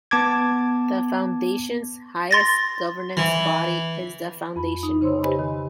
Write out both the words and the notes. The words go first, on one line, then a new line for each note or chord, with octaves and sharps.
The foundation's highest governance body is the foundation board.
B3 A5 D6 G#6
C6 A6 A#6
E3
F2 B5
D#4
C#3 C5 C#5 C6 E6
G4 B4 C5 D#5 G#5 B5
D#3